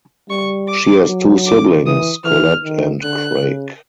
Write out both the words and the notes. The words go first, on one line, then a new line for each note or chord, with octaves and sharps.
She has two siblings, Colette and Craig.
G3 C#6
D6
F#3
D6
E3 D#6
E3 F6
D#3
D3 F#6
C#3